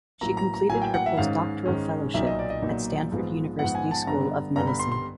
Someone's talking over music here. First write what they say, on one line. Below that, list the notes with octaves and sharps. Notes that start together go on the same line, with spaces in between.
She completed her postdoctoral fellowship at Stanford University School of Medicine.
A2 F#3 A#3 A#5
A#5
A#5
A2 F#3 A#3 G#5
G5
F#5
E5
G#2 D#3 G#3 C#4 F5
G#2 D#3 G#3 C#4
B1 A#2 F#3 A#3 D#4 E5
D#5
D5
D#5
B1 A#2 F#3 A#3 D#4
G#2 F3 G#3 B3
G#2 F3 G#3 B3 F#5
G#5
A5
G2 D3 G3 B3 D4 A#5
G2 D3 G3 B3 D4 A#5
B5
C6
C6